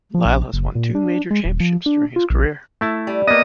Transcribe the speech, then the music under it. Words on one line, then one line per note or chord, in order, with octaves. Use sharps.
Lyle has won two major championships during his career.
F3
A#1
F#1
A#2
D4
G#3
D#1
F3
D4
F4
A#1
A3 E4 A5
G3
A#3 B3 D#5